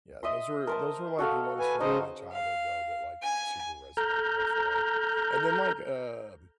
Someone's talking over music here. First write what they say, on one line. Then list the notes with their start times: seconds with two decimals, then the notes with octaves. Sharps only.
yeah, those were those were like the ones from my childhood though, that like super resonated, I feel like. And then like um
0.23 D#5 E5 C6
0.67 A#4 C5 A5
1.19 F#4 A4 F5
1.60 B4 G#5
1.81 C#3 D#4 C5 D#5
2.33 F5
3.23 G#5
3.97 A4 A#5 F6 G6